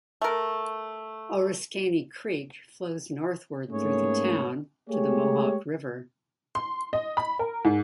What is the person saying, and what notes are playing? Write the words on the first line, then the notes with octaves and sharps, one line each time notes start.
Oriskany Creek flows northward through the town to the Mohawk River.
A3 A#4
G#2 A3 A#3 C#4 G#4 C#5
G#3 A3 G4 G#4 C#5
C6
D#5
B5
A#4
G#2